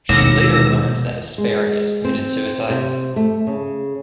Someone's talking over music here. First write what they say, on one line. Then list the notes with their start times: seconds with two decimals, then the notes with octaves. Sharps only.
She later learns that Asparagus committed suicide.
0.09 F1 D#2 B2 G#3 B3 E6 A#6
1.38 G#3
2.05 C4
2.70 C3
3.16 A3
3.47 C#3